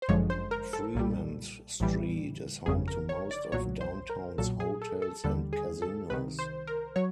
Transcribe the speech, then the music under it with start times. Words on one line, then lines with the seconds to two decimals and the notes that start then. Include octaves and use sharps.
Fremont Street is home to most of downtown's hotels and casinos.
0.02 C5
0.08 G1 F#2 D3 F3 G#3 C#5
0.30 C5
0.51 A#4
0.73 A4
0.95 B1 A#2 G3
1.80 A#1 A2 E3 G3
2.66 G1 F2 C#3 G#4
2.88 A#4
3.09 C#5
3.31 D5
3.52 B1 A#2 F#3 C#5
3.81 C5
4.10 A#4
4.38 B1 A#2 F#3 A4
4.60 G#4
4.82 A4
5.02 A4
5.24 D#2 D3 G3 A4
5.53 G#4
5.82 A4
6.10 C2 C3 D#3 B4
6.39 C5
6.67 A#4
6.96 F#3 C#5